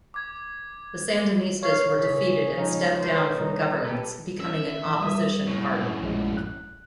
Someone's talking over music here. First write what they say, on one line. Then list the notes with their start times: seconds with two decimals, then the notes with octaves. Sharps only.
The Sandinistas were defeated and stepped down from governance, becoming an opposition party.
0.14 D6 G#6
1.63 C#5 F5
1.99 C#3 E3 G#4 B6
2.56 C#2 F3 D#4 F5
3.00 B4 C5
3.35 C2 D#4
3.85 G4 A4 B4
4.40 C#4 E5
4.85 E3
5.00 G3 D#6
5.46 F#2 A2
6.01 A#1 F3 G#3
6.37 F#6